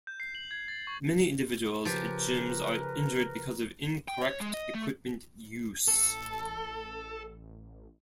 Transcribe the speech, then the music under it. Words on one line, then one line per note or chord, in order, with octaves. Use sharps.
Many individuals at gyms are injured because of incorrect equipment use.
G6
C7
F#7
G#6
A6
C#6
C#3 F3 G4 A#4 B4
G5
C#5
G#3
D#5
A3
A1 A4